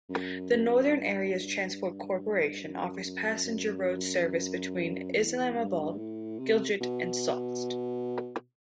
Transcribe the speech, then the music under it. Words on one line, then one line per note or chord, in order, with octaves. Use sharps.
The Northern Areas Transport Corporation offers passenger road service between Islamabad, Gilgit and Sost.
F#2
F#2
G2
F#2
F#2
F#2
E2
G2
A2
C3
B2